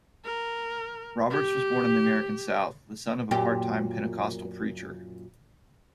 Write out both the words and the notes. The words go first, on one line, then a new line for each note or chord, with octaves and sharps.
Roberts was born in the American South, the son of a part-time Pentecostal preacher.
A#4
G4
F#2 A#2 G4